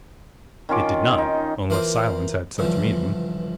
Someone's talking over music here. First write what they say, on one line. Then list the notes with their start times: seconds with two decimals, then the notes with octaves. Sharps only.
It did not,--unless silence had such meaning.
0.69 D#3 C#4 F4 D6
1.18 D#4
1.70 E3 A#3 F4 C5 A#5
2.58 C#2 G2 D3 E3 F3